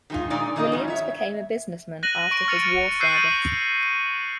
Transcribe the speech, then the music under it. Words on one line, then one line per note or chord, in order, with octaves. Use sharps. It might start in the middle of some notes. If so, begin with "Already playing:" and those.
Williams became a businessman after his war service.
D#3 F#3 G#3 D#4 F4
A#2 G#3 D#4 D5
D#3 C#4 D#4 F4 D#5
E2 G#2 F#3
C#5 E5
F#6 A#6 D#7 F#7
C#6 D7 F#7
F6 A6 C#7 D#7 F7
E6 F#6 G6 A6 C7 D#7